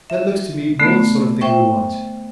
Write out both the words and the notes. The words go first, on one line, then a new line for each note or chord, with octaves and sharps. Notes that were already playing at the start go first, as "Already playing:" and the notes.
That looks to me more the sort of thing we want.
E5
D3 A3 B3
C5 E5 G5 C#6